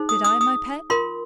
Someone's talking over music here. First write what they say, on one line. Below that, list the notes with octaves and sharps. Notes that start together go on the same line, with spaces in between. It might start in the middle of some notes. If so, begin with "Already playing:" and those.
"Did I, my pet?"
Already playing: D#4 G#4 C5
D#6
D#6
D#6
F4 A#4 C6